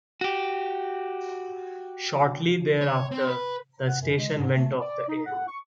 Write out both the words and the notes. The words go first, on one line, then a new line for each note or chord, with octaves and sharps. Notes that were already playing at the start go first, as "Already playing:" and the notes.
Shortly thereafter, the station went off the air.
F#4 G4
C#5
C4
B4
F#5
F#2
G#3
G#2
A3
D5
D#4
F#5
C#6